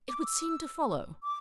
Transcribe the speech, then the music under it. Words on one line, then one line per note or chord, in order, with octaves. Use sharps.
'It would seem to follow.'
D6
E6
D6